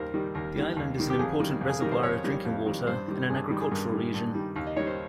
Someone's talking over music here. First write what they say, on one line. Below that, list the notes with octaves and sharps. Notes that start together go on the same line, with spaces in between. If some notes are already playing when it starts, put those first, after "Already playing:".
The island is an important reservoir of drinking water and an agricultural region.
Already playing: D#2 D#3 G3 A#4 C5
D#3 G3
D#2 A#4
D#3 G3
D#2
D#3 G3
G4
F2 G#4
D#3 G3
F2
G#4
D#3 G3 A#4
C5
F2 C#5
D#3 G3
F2
D#3 G3
G2 C5
D#3 G3
G2 G#4
D#3 G3
G#4
G2 A#4
D#3 G3
G2
D#3 G3
D#2
D#5
D#3 G3 C#5
C5